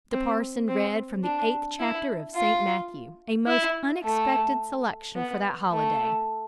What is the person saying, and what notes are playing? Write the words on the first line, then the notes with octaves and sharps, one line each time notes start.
The parson read from the eighth chapter of St. Matthew, a most unexpected selection for that holiday.
C4
C4
D4
E4
F4
E4
A3
B3
A3